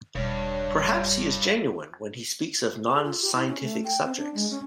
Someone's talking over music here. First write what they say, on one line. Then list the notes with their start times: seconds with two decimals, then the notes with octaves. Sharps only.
Perhaps he is genuine when he speaks of non-scientific subjects?
0.15 E1 G2 C#5
2.89 G#4
3.04 F4
3.22 G4
3.34 E4
3.48 C#4
3.62 A3
3.84 G5
4.05 C4
4.17 D4
4.34 G#3
4.51 C#4